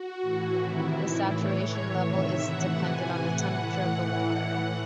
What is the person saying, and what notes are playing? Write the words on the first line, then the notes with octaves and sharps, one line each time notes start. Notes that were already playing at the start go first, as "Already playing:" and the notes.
The saturation level is dependent on the temperature of the water.
Already playing: F#4
A2 E3
C3 D#3 E4
A2 E3 E4
A2 E3 C#5
A2 E3 C#5
C3 D#3 E5
A2 E3 F#5
C3 E3 G#5
A2 E3 F#5